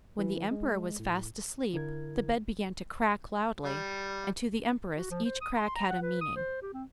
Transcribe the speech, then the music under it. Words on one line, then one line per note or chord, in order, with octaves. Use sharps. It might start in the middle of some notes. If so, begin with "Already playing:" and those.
When the emperor was fast asleep, the bed began to crack loudly, and to the empress each crack had a meaning.
E3
G#3
A2
D3 E4 A#4 G#6
G3
F#4
F3
C5
D#6
C6
A#5
F#5
B4
D#6
C5
G4
C4